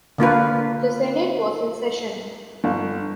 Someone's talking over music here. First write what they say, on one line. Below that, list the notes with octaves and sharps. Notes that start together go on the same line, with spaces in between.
The Senate was in session.
D3 A#3 F4 B4
G1